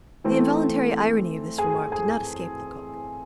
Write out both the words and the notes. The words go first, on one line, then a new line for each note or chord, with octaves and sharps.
The involuntary irony of this remark did not escape Lecoq.
E3 A3 C4
G#4 G#5
G#4 G#5